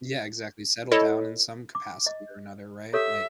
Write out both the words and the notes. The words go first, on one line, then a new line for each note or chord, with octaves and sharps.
Yeah, exactly. Settle down in some capacity or another, right, like
E4 A4 C#5 D#5
D6
D#5
G4 A4 C#5 E5